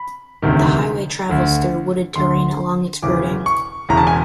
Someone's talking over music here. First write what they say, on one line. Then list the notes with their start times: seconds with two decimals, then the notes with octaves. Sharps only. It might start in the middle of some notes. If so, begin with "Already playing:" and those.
The highway travels through wooded terrain along its routing.
Already playing: B5
0.42 E1 D2 C3 D#3
1.29 D2 D3
2.16 D2 D3 C6
3.02 E1 E2 C#3 E3 D6
3.46 C#6
3.89 E1 E2 C#3 E3 A#5
3.97 A5
4.07 G#5